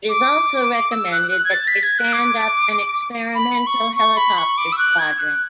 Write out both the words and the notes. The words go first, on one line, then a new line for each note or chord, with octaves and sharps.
It also recommended that they stand up an experimental helicopter squadron.
D6
E6
F#6
F#6
G#6
A6
B6
G#6
F#6
D6
B5
C#6
C#6
B5
C#6
D6
E6
F#6
G#6
F#6